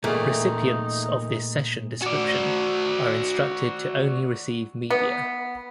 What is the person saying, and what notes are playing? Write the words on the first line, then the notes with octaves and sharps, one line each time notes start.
Recipients of this session description are instructed to only receive media.
E2 A#2 D#3 A3 C#4 D#4
F#4 D5
B3